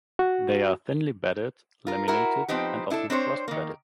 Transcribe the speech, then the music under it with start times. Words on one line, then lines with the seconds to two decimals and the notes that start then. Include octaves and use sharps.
They are thinly bedded, laminated and often cross-bedded.
0.19 F#4
1.87 F4 A#4
2.08 E4 F#4 A#4
2.48 F3 B3 C4 D#4 G4
2.90 D4 E4 G#4 A4
3.10 C4 D4 C5 C#5
3.48 D#3 A#3